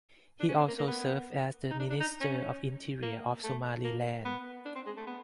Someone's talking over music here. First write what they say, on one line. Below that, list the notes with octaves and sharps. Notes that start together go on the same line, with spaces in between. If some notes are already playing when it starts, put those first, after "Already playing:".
He also served as the Minister of Interior of Somaliland.
D4
C#4
C4
A#3
A#3
B3
D#4
D4
D4
D#4
C#4
A#3
A3
A#3
B3
D4
C4
G#3
A3
B3